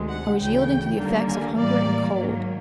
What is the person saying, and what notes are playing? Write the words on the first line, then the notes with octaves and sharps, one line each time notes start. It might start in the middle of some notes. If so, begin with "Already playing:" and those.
I was yielding to the effects of hunger and cold.
Already playing: D2 C3 D#3 G#3
F#5
D2 C#3 E3 G5
D#2 D3 G3 A#3
G#5
A2 E3 G3 A#3 D5
G#2 D#3 F#3 A#3